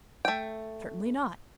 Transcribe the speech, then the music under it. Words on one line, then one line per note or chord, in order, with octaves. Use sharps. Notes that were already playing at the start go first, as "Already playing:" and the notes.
"Certainly not."
A3 G5